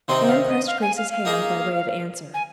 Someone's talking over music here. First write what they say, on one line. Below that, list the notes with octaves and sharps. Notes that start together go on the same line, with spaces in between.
Anne pressed Grace's hand by way of answer.
C3 D#3 C4 D#4 C6
F5
D#5
F5
G#5
F5
F5
A#3 D#4 G#4
G#5